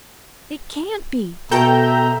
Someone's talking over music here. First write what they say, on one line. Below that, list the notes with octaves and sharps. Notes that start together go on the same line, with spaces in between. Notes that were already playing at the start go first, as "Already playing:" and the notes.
It CAN'T be.
B2 A4 E5 G5 A#5 G6